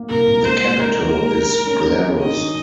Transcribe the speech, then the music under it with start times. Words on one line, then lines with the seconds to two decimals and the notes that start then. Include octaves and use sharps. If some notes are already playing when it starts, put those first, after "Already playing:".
The capital is Glarus.
Already playing: A#3
0.09 C2 A#4
0.27 C2
0.44 G#3 C5
0.63 G#3
0.79 G#3 A#4
0.97 D#3
1.15 G#3
1.32 G#3
1.49 G#3
1.66 C#4
1.85 C#4
2.02 F#4
2.19 D#3 D#5
2.37 D#3